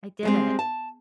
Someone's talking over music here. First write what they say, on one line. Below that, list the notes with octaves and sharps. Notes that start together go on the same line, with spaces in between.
I did it.
G3 G#3 C4
A5